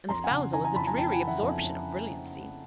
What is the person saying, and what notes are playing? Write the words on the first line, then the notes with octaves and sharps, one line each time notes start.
An espousal is a dreary absorption of brilliancy.
F2 A#5 C6
F#5 G#5
C#3
E3 G#5 A#5
G#5 A#5
F2 A5 B5
G#5 A#5
F2 G5 A5
F#5 G#5
E3
E5 F#5
F2
F2